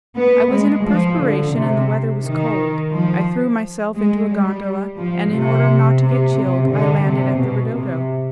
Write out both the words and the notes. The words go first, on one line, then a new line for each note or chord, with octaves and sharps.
I was in a perspiration, and the weather was cold; I threw myself into a gondola, and in order not to get chilled I landed at the 'ridotto'.
B3
G#3
F3
D3
C3
D#3
F3
G#3
G3
F3
C3
C3
C3
D3
C3
B2
C3